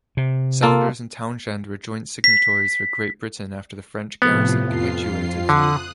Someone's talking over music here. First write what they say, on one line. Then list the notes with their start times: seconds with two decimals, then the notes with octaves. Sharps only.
Saunders and Towshend were joint signatories for Great Britain after the French garrison capitulated.
0.17 C3
0.63 A#3 F4 A4
2.24 B6
4.22 A2 C3 F3 B3
4.66 F2 F4 C7
5.49 D3 D#6 F#6